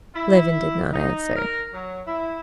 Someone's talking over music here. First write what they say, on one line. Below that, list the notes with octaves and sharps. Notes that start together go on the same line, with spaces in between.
Levin did not answer.
E4
D#4
A#4
F#3
E4